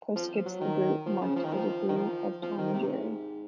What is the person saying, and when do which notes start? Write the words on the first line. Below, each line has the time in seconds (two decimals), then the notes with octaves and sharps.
"Puss Gets the Boot" marked the debut of Tom and Jerry.
0.15 F3
0.45 F#3
0.61 D#3
1.06 F3
1.21 C#3
1.36 F3
1.44 D#3
1.53 F3
1.89 D#3
1.97 F3
2.42 F3
2.58 D#3
2.73 C3
2.89 G#2